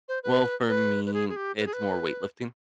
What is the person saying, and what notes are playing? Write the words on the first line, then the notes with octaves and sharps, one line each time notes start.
Well, for me, it's more weightlifting.
C5
B4
B4
B4
G#4
G#4
G4
B4
G#4
B4